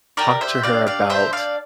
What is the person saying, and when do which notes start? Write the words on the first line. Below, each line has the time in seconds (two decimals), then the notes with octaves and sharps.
talk to her about
0.17 G4 A#4 D5
0.41 C5 E5
0.63 D4 D5 F5
0.87 D5 F5
1.10 D4 C5 E5
1.33 D5 F5